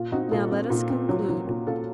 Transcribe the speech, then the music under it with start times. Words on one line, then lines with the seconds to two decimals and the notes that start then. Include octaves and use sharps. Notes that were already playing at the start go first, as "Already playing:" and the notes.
Now let us conclude.
Already playing: A#2 F4
0.12 C4 D#4 F#4
0.31 A#2 F4 A4
0.51 C4
0.70 A#2
0.90 C4
1.09 F#3
1.29 F#3
1.47 A#2
1.67 A#2 F4 A4